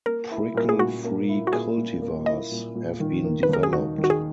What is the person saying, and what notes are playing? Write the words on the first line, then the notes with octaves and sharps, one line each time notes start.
Prickle-free cultivars have been developed.
A#3 A#4
E4
A#2 A#4
G#4
A#2 F#4
A#3
E4
F#4
A#2 G#4
A#2
A#3
E4 D#5
A#2
A#2
D#3
A#3
B4
D#2 A#4
G#4
D#4 F#4
D#3
F#4
G#4